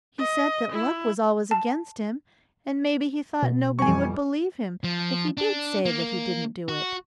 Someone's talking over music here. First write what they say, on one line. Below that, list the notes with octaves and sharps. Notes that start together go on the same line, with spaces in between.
"He said that luck was always against him, and maybe he thought nobody would believe him if he did say that he didn't do it."
D#5
E4
A5
B2
F2 E3 G3 G#5 C#6
F3
D4
A#3
F#4